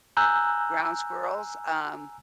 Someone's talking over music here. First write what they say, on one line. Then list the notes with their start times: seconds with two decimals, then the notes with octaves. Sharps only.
Ground squirrels, um,
0.17 G#5 A#5 E6 F#6 G6